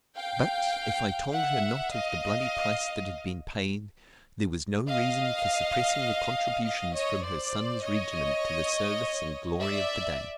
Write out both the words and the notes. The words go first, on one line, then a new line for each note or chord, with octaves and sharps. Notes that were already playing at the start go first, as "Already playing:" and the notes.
But, if I told her not of the bloody price that had been paid, there was no reason for suppressing the contributions from her son's regiment to the service and glory of the day.
F5 G5
E5 F#5
D#5 F5
D#5 F5
D#5 F5
C#5 D#5
C5 D5
C#5 D#5
D5 E5